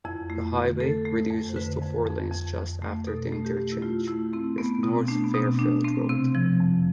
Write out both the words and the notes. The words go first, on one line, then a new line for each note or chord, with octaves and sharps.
The highway reduces to four lanes just after the interchange with North Fairfield Road.
F2 E4
A3
D3
A3 A4
A3
F2
C5
D3 B4
F2
F2
F2
F2
A3
B2 A4
A3
G4
A3
E4
A3 F4
A3 E4
A3 C4
A3 B3
B2 C4
A3 D4
B3
B2 C4
A3 D4
A3 C4
C3 C4
F3
F2